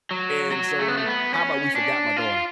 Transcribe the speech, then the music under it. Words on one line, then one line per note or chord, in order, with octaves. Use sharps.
and so, how 'bout we forgot my daughter?
F#3
F#3
A3
B3
A3
B3
C#4
D4
F4